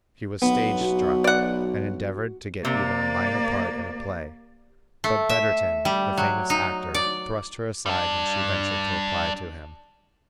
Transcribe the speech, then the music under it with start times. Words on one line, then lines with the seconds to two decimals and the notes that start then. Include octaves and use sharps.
She was stage-struck, and endeavored to get even a minor part in a play; but Betterton, the famous actor, thrust her aside when she ventured to apply to him.
0.42 B1 B3
0.81 F#4
1.24 D5 F#5
2.65 C3 A#3 D5
5.04 A3
5.29 E5
5.85 G3
6.18 F#3
6.50 D#4
6.94 D5
7.86 G3 D4